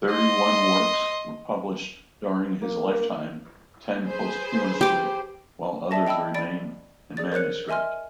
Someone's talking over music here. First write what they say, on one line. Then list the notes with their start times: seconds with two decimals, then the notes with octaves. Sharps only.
Thirty-one works were published during his lifetime, ten posthumously while others remain in manuscript.
0.11 D#5 C6
2.62 A#3
4.06 G#4 B4 C5
4.81 G4 D6
5.91 D5 E5 A5 A#6
6.07 D#5 G5 A5 B5 E6
6.34 D5 B5 A6 D7
7.17 G#4 D5 A6
7.32 A#4 C5 C#5 F#6 C#7
7.69 D#5 E5 G#5 C6 F6